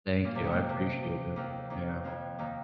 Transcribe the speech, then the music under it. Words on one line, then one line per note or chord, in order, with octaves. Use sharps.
Thank you, I appreciate it. Yeah.
A#2
C3
G#2
A#2
C3
D#2 D#3
D#2 D#3
F2 F3
D#2 D#3